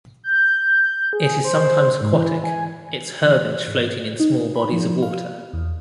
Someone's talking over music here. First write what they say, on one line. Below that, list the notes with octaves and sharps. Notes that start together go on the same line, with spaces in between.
It is sometimes aquatic, its herbage floating in small bodies of water.
G6
G#4
C5
G#2
E3
G#5
E3
G#2
D#4
B5
F3
F5
E2